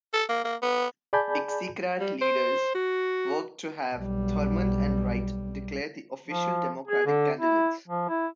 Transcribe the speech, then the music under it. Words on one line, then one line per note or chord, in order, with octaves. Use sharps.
Dixiecrat leaders worked to have Thurmond and Wright declared the official Democratic candidates.
A4
A#3
A#3
B3
G#4 D5 G#5 A5 B5 G6
G3
C5
F#4
B1 G3
F3
G#4
D3
E4
F3
E4